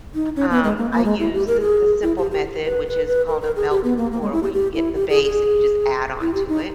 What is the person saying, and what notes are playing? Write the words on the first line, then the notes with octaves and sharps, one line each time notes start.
Um, I use th the simple method, which is called a melt and pour where you get the base, and you just add on to it.
D#4
C#4
B3
G#3
A#3
A#3
G#3
E4
G4
A#4
G#4
E4
G4
G4
B4
B4
B4
A#4
A#4
G#4
G4
B3
A#3
A#3
G#3
E4
G4
G4
E4
G4
G#4
G#4
E4
G4
D#4